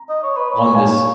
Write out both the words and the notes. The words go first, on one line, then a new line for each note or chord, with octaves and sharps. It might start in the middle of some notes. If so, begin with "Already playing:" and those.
on this,
Already playing: A#5
D#5
C#5
B4
C#5
F5 G#5